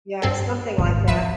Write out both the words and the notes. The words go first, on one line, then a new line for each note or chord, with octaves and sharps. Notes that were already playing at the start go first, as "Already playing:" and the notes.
Yeah, something like that.
G2 C4 A4
G#1
F3 B4 E5